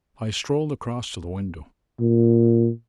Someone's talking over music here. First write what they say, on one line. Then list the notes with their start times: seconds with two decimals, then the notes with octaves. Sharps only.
I strolled across to the window.
2.00 A#2